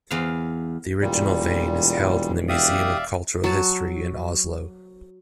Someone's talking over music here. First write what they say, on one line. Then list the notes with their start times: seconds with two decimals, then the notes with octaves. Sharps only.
The original vane is held in the Museum of Cultural History in Oslo.
0.11 E2 F5
1.02 E1 A#2 G3
2.49 G4 D5 E5 F5 D#6
3.44 F#3 A5